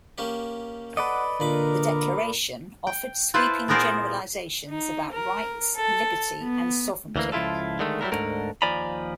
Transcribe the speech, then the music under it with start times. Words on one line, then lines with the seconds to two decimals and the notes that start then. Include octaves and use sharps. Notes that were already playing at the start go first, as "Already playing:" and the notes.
The Declaration offered sweeping generalizations about rights, liberty, and sovereignty.
0.18 A#3 C#4 G4
0.97 A4 B4 D5 D#5 F#5
1.40 A#2 D3 A#4 B5 D6
2.87 G5
3.34 E4 F4 B4 C5 A5
3.68 A#2 B3 G#4 A#4 C5 D5
4.69 D#4
5.12 A#4
5.76 A4
6.41 B3
7.16 D2 E3 A#3
7.32 C#2 F3 E4 F4 A4
7.79 D3 D#3 G#3 A3
8.01 F#3 G3 A#3 D4 E4 A#4
8.12 D2 G#2 D3 A3 A#4
8.62 D#2 F3 D5 G#5 A#5 B5